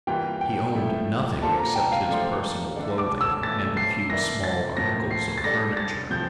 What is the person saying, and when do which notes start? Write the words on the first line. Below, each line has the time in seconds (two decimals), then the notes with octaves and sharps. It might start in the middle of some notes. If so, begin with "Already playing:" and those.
He owned nothing except his personal clothing, and a few small articles of furniture.
0.07 E3 G3 A#3 F4 G5
0.41 G5
0.75 F3 A3 E4
1.42 A#3 D4 F4 A4 C5 A5
1.59 A#5
1.75 G5
1.92 F5
2.09 F3 A3 D4 A4 C5
2.76 D3 A3 D4 A4 D5
2.98 D6
3.21 E6
3.42 A2 E3 A3 A6
3.77 C7
4.10 E3 A#3 E4 A#4 D5 A#6
4.44 A6
4.77 A2 F3 A#3 A#6
5.11 C7
5.38 A6
5.44 G3 D4 A4 D5 A#6
5.77 A6
6.11 F3 C4 G6